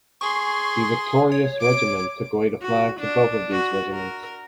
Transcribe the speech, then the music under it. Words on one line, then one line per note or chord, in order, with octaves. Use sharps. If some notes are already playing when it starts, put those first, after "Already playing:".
The victorious regiment took away the flags of both of these regiments.
G#4 C6 C#6
C#5
D6 D7
F#4
D4
F#4
A#4